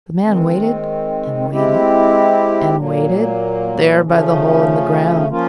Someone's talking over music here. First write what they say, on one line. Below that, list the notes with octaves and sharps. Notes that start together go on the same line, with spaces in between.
The man waited and waited and waited there by the hole in the ground.
D#3 G#3 C4
G#3 C4 E4 G4
A#2 F#3 A#3
C#3 F3 A3 C#4
F3 A#3 C#4 F4